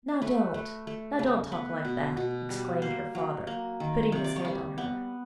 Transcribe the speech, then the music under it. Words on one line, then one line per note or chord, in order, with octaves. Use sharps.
'Now don't--now don't talk like that!' exclaimed her father, putting his hand on her.
A3 B4
A3
A3
C#3
B3 B4
B2
B2
G3
A#3 C5
F#3
A#3
D#3
C3 C#5
D5
C#5
G3
B3